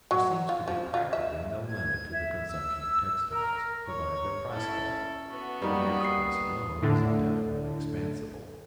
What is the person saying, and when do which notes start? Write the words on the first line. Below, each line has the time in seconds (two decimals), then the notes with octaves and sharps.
There seems to be practically no limit to the consumption of textiles, provided their price falls; the demand for dress alone is indefinitely expansible.
0.11 F#3
0.49 F4
0.68 F3
0.94 F4
1.13 E5
1.67 G#6
2.12 E5
2.48 E6
3.31 A#4
3.87 C#5
4.52 C#4 E4 A4
5.27 B3 F#4
5.62 G3 A#3 D#4
6.00 D#6 C7
6.82 A2 D3